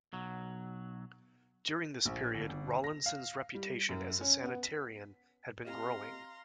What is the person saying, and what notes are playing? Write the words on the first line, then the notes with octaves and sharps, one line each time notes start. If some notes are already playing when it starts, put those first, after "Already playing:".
During this period Rawlinson's reputation as a sanitarian had been growing.
B1 F#3
A#1
G1
G1
A#6
F5
G3
F#2
C#4
B3
B6
C4 G4 D#5 F5 A#5 C6